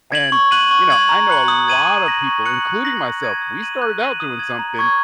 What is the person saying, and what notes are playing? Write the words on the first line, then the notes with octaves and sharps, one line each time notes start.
and, you know, I know a lot of people, including myself, we started out doing something,
G#6 F#7
C#6
F#6 D#7 F#7
C#6
G#6 F#7
A#5
F#6 C#7 F#7
D#6
G#6 D#7 F#7
D#6
A#6 F#7
C#6
F#6 C#7 F#7
F#6
A#6 F#7
D#6
G#6 D#7
D#6
A#6 D#7 F#7
F#6
A#6 D#7 F#7
D#6
G#6 F#7
A#5
C#6 G#6